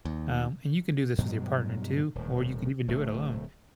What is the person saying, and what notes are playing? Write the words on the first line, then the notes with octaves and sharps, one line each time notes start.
um and you can do this with your partner too, or you can even do it alone,
D#2
G2 B2 F#3 G#3
D#1 A2
D1 A3